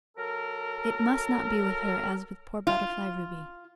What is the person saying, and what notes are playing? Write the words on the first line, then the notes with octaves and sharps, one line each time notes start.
It must not be with her as with poor butterfly Ruby.
F#3 A4 A#4
F4